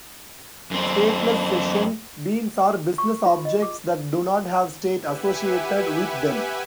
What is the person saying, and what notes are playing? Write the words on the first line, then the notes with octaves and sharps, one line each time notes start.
Stateless Session Beans are business objects that do not have state associated with them.
F#2 C4
C#6
F4
D#5
D6
G4 B4 E5 F#5 G#5